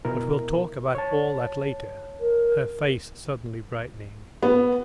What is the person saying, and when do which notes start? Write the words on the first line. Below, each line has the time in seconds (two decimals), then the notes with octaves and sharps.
"But we'll talk about all that later," her face suddenly brightening.
0.05 B2 E4 A#4
0.95 C#5 A5
2.21 A#4
4.43 B3